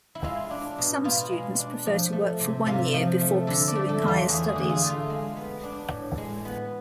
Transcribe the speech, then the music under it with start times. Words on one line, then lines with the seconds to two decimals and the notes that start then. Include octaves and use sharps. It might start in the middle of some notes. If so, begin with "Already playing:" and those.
Some students prefer to work for one year before pursuing higher studies.
0.15 E4
0.24 G#3 F4
0.51 D4
0.78 B2
1.04 B2 F4
1.32 G#3
1.59 D4
1.86 F3
2.13 A3
2.40 C3
2.66 C3 F4
2.94 F3
3.21 A3
3.47 D3 A4
3.68 D5
3.75 A3
3.89 A4
4.02 E2
4.08 F4
4.29 E2 G#4
4.48 G#4
4.56 D3
4.64 G#4
4.69 F4
4.83 A3
4.89 F4
5.10 G#3
5.37 B3
5.64 D4
5.90 A2
6.18 G#3
6.45 B3